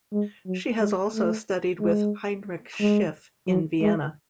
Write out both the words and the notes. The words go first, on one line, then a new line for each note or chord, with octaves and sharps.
She has also studied with Heinrich Schiff in Vienna.
G#3
F#3
G#3
A3
G#3
G#3
F#3
G#3